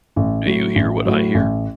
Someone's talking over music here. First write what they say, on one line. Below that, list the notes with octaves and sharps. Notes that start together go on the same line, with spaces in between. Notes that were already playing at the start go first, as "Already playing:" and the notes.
Do You Hear What I Hear?
A1
A2 F#3
A1
A2 F#3
A1